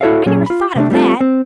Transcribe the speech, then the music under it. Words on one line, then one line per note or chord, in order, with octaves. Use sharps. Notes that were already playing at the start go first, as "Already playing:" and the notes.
I never thought of that.
E4 F#4 A4 C#5 E5 F5
A#2 F#3 C#4 G#4
F4 B5
C3 A3 C4 D4
G3 A3 C4 F4 A4
C4